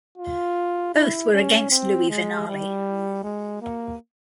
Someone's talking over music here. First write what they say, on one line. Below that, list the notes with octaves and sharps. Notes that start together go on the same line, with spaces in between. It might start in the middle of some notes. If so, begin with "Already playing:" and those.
Both were against Luis Vinales.
F4
E4
C#4
C4
G#3
G3
G#3
A#3